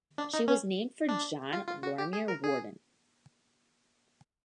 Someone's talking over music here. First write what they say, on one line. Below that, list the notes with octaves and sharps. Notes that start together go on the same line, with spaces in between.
She was named for John Lorimer Worden.
D4
D#4
C#4
D4
F4
F4
F#4
G4
G#4
A#4
G#4